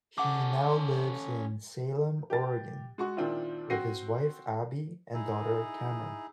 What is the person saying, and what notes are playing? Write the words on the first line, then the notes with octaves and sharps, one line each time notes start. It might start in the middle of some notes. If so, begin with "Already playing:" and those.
He now lives in Salem, Oregon with his wife, Abby and daughter, Cameron.
C#4 A4 F#5 D6
G4 A6
G#3 F#4 C#6
A#2 D#3 C4 D4 E4 F4
C4 F#4 A#6 C7 D#7
D#4 E4 G#4